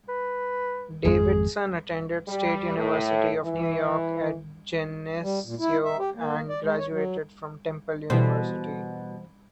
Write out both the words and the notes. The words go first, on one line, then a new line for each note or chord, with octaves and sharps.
Davidson attended State University of New York at Geneseo and graduated from Temple University.
B4
G#1 F2 G#3 G#4
G3
A2
E3
G3
A#2
E4
E5
G4
A#3
D5
G#3
C#5
F#3
B2 E3 G3 C5